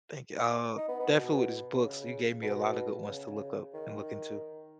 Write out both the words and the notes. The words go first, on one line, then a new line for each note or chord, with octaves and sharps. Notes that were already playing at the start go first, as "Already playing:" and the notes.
Thank you, I'll definitely, these books, you gave me a lot of good ones to look up and look into.
D#4
B3
B3
B2
C#3
B2
C#3
D#3